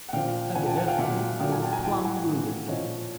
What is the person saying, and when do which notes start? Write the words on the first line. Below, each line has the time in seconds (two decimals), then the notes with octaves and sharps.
Evidently I was plumb ruined.
0.09 F#5
0.13 A#2 F3 F5 G5
0.55 A#2 F3 F#5 G#5
0.66 G5 A5
0.77 F#5 G#5
0.88 F5 G5
0.98 A#2 F#3 E5 F#5
1.40 A#2 F#3 F5 G5
1.51 F#5 G#5
1.62 G5 A5
1.73 G#5 A#5
1.83 A2 E3 G5 A5
2.05 F#5 G#5
2.26 A2 E3
2.68 A#2 F3 C#5 D#5